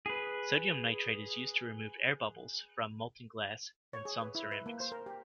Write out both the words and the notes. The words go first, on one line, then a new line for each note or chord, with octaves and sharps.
Sodium nitrate is used to remove air bubbles from molten glass and some ceramics.
G#4 B4
C#5
G#4
B4
E4
B4
A#3
C5
A#4
G4